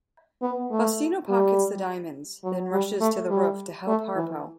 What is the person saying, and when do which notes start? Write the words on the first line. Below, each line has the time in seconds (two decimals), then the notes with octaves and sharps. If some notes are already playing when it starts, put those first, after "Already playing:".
Faustino pockets the diamonds, then rushes to the roof to help Harpo.
0.42 B3
0.71 A3
1.28 G3
2.44 F#3
2.72 G3
3.01 A3
3.30 G3
3.87 A3
4.16 E3